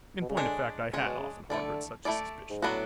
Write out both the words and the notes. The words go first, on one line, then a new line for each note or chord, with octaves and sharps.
In point of fact, I had often harbored such a suspicion.
B2
C#3
D3 G#3 D4 G#4 C#5
C#3 G#3 D4 G#4 C#5
B2
C#3
D3 A3 E4 A4 D5
A3 E4 A4 D5
G#2
A2 F#3 B3 D4 F#4